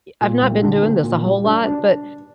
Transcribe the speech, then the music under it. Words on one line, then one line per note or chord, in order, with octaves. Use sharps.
I've not been doing this a whole lot, but
A#2
C2
D3
A#3
A#2
G3
D4
D4